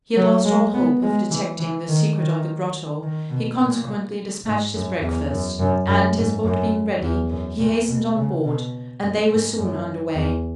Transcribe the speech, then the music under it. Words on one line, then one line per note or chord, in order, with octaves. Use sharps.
He had lost all hope of detecting the secret of the grotto; he consequently despatched his breakfast, and, his boat being ready, he hastened on board, and they were soon under way.
F#3
G#3
B3
G#3
E3
E3
D#3
D#3
D#3
B2
A#2
G#2
F#2
E2
F#2
F#2
F#2
G#2
F#2
E2
F#2
A#2
B2
C#3
B2
F#2
G#2
F#2
E2